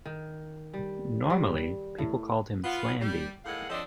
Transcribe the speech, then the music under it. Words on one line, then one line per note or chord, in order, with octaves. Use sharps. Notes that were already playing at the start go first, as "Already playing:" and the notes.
Normally people called him Flandy.
D#3
G3
G3
A2
B3 F4
G3
A2 D#3 G#3 G#4 F5 F#5
F3 C4 D4 A4 C#5 D#5